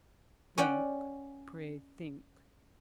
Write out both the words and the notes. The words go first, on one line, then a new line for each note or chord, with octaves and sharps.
Think; pray think!
C#4 D5 F#5 G5